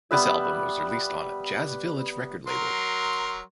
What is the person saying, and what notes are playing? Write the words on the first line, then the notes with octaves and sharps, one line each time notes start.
This album was released on Jazz Village record label.
G3 B3 B4 E5
F#3 A#4 C6